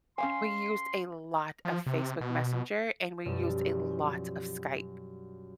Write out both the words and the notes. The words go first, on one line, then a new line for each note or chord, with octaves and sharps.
We used a lot of Facebook Messenger, and we used a lot of Skype,
C#4 F5 G#5 C6
F3
C3
B2
F#2 B2 F3 G3